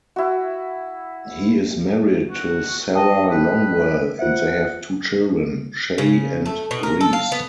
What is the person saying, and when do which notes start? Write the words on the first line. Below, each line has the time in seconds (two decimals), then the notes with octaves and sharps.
He is married to Sarah Longwell, and they have two children, Shaye and Reece.
0.16 E4 F#4
2.30 F#4
2.95 D#5 G5 A5 D#6
3.30 B4
4.19 F4 C5 E5 F#5
5.98 C#3
6.46 A3
6.71 B2
6.83 A#4
7.01 A4
7.13 F5
7.32 B3